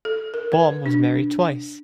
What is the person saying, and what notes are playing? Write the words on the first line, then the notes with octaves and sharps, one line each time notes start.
Baum was married twice.
A4
A#4
B4
D4